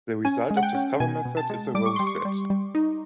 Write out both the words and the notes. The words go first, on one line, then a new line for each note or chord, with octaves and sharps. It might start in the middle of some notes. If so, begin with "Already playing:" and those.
The result of Discover method is a rowset.
C#4 G#5
G#3
F#5
G5
C#4
B2 G#5
B2
A5
G#3
G3 D6
C#6
G3 C6
C#6
G3
G3
D#4